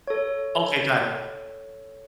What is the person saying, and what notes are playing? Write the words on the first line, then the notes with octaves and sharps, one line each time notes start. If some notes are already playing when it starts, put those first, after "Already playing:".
Okay, got it.
A4 C#5